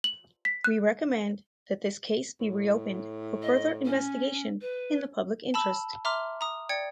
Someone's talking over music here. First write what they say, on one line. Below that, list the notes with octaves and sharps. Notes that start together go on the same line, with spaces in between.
We recommend that this case be re-opened for further investigation in the public interest.
F#7
B6
F#6
A2
D#5
C#4
B4
A5 B5 E6
E5 A#5 C6 D6 F6
A#5 D#6
D5 G5 G#6 C#7